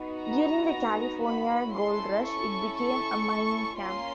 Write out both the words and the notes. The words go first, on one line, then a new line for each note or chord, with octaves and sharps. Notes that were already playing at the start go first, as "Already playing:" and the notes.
During the California Gold Rush, it became a mining camp.
Already playing: B3 D#4 F#4
A#5
B5
C#4 E4 A4 C6
C#6
C#6
A#3 C#4 F4 C6